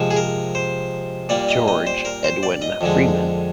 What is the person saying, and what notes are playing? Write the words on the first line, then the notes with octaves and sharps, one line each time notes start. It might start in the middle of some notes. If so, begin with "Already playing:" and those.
George Edwin Freeman.
Already playing: C3 F3 G#3
G#4
A#4
C5
A#2 G3 A#3 D5
D#5
D#5
C5
A#4
C5
D5
D#5
F2 D3 G#3